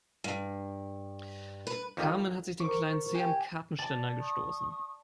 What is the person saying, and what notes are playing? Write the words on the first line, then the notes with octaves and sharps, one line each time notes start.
Carmen hat sich den kleinen Zeh am Kartenständer gestoßen.
G2
B4
F2 D#3 G3
A#4 C5 C#6 D6
G4 G5 G#5
D5 A5
C#6 D#6